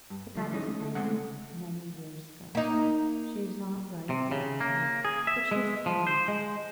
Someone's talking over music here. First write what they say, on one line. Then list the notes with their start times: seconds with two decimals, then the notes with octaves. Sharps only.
But that is many, many years ago. She is not right in her head, but she is harmless.
0.10 G2
0.36 D3 F3 G3
0.52 E3 C#4 D#4
0.80 D3
0.95 C#3 G#3 A3 C4 D4 F#5
2.55 A#3 D#4
4.10 C3
4.31 C#3
4.61 A#3
5.05 G#4
5.27 E5
5.51 G#3
5.86 F3
6.07 C5
6.28 G#3